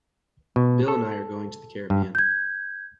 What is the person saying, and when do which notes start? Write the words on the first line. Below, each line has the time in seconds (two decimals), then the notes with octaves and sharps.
Bill and I are going to the Caribbean.
0.56 B2
0.88 A4
1.90 G2
2.15 G6 G#6